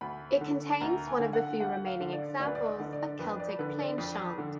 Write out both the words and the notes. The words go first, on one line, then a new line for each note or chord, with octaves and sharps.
It contains one of the few remaining examples of Celtic Plainchant.
D2 B5
D3
D2 A#5
G#5
D3
F#5
D2 F#5
F5
D3
D5
D2 D5
B4
D5
D#5
D3
D5
F2 B4
D5
D3 B4
D5
F2
D3